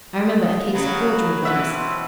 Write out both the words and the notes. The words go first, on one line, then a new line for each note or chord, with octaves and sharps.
I remember a case of forgery once.
D#5
C#3 F#3 B3 B4
B2 E3 E5 F#5
C4